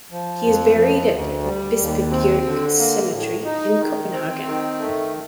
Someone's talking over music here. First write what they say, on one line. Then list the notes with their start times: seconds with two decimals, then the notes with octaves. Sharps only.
He is buried in Bispebjerg Cemetery in Copenhagen.
0.11 F3
0.45 F2
0.78 F3
1.12 D2
1.45 G3
1.79 D#2
2.11 C4
2.45 D3
2.78 A#3
3.11 A2
3.45 D#4
3.78 D#3
4.12 C4
4.45 D#3
4.79 A3